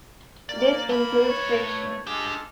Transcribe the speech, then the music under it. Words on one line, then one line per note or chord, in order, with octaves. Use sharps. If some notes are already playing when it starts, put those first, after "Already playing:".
This includes friction.
A#3 D5
A3 B5
B4 C#5
G#3 D4 F4 G4 A4